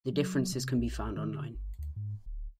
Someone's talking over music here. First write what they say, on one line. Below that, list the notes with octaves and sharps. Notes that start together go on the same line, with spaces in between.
The differences can be found online.
F#3
C3
A#1
D#3
D3
G1
D2
G#2
D1